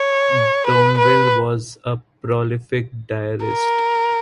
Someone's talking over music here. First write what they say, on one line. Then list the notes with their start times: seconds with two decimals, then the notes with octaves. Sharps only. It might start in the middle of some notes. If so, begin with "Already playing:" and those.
Domvile was a prolific diarist.
Already playing: C#5
0.67 B4
0.98 B4
3.46 A#4